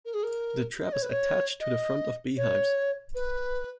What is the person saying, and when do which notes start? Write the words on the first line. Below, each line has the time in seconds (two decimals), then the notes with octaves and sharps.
The trap is attached to the front of beehives.
0.05 A#4
0.14 G#4
0.23 A#4
0.83 D#5
0.93 C#5
1.02 B4
1.11 C#5
1.60 D#5
2.37 C#5
3.15 B4